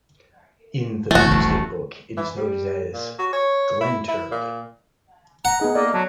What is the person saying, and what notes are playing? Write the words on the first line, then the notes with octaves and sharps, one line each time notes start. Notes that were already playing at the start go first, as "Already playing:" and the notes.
In the "Domesday Book" it is noted as "Glentewrde".
F1 E3 A3 F#4
D#1 A1
E3
G3
A#2
F#4
C#5
E4
E4
A#2
F#5 A#5
B3 D#4 G#4
A#3 A4 D5 D#5
F#3 A5